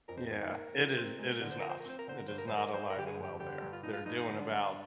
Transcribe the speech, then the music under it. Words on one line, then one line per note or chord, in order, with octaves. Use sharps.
Yeah. It is it is not, it is not alive and well there. They're doing about,
F2 A#4
C5
D#3 A#4
A#3
F3
C4
G#3
D3 A#4
C5
F3 A#4
C5
A#4
C4 C5
A#4
D3 C5
A#4
G2 C5
A#4
G3 C5
A#4
G2 C5
A#4
D3 G4
G#4
G2
G4
D3 G4
G2
F4
F3 D#4
F4
G2 D#4
D3
D4
G2